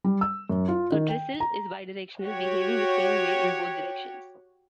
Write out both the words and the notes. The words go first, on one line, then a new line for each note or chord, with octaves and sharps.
A Trisil is bidirectional, behaving the same way in both directions.
G3
E6
F#2
F4
D#3
G5
A#5
F#4 G4 C#5